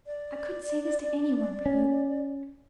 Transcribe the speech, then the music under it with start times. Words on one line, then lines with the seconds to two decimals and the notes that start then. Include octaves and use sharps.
I couldn't say this to any one but you.
0.06 D5
1.66 C#4